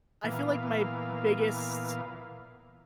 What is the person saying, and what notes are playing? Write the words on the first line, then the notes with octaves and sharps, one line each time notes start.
I feel like my biggest
A#2 E3 B3 F5